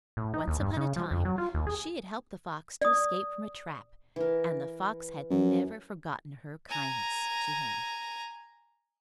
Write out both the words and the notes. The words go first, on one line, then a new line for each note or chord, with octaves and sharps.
Once upon a time she had helped the fox to escape from a trap and the fox had never forgotten her kindness to him.
A2
D#4
D#2
G2
C#3
F3
F2
F#3
F4
D#2
G#4
D5 D#6
E3 A#4
F#2
G#5 A#5